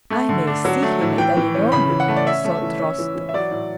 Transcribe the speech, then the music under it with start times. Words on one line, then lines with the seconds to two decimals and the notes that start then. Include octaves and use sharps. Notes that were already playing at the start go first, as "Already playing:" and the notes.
"I may see him at any moment," thought Rostov.
0.10 A3
0.29 D3
0.47 D4
0.65 F#3
0.83 A3
1.01 A2
1.18 E3 G5
1.37 E3
1.55 C#4
1.72 C#3 B5
1.90 E3
2.00 F#5
2.08 A3
2.16 D5
2.26 C#4 E5
2.45 A3
2.62 E3
2.79 C#4
2.99 E3
3.15 E3
3.29 E5
3.34 F#3 D5
3.51 A2